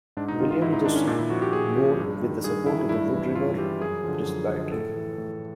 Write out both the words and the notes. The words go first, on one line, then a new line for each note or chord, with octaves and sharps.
William Judson Boone with the support of the Wood River Presbytery.
G#2 D4
D#4
D#3 F4
F4
G#2 E4
D#4
D#3 D4
C#4
A#2 D4
E4
F3 F#4
G4
A#2 G#4
F3
G2
D#3
G2 G#4
D#3 E4
G2 E4
E3
G2 F4
E3 G4
F#2 G#4
D3 F3
F#2
D3 F3
A2 A4
E3
A2